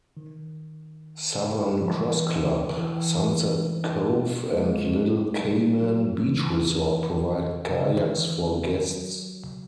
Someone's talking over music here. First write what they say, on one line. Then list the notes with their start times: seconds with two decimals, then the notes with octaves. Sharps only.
Southern Cross Club, Sunset Cove and Little Cayman Beach Resort provide kayaks for guests.
0.17 D#3
1.82 F3
1.91 E3
2.78 E3
4.53 G#3
5.39 G3
5.83 F#3
6.27 E3
7.71 C3
7.78 C#3
7.85 D3
7.93 D#3
8.00 E3
8.45 D#3
8.88 F#3